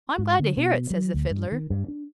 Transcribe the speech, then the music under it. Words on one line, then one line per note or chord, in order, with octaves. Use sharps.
"I am glad to hear it," says the Fiddler.
G#2
D3
B2
F#3
D2
G2
D#3
G2
D4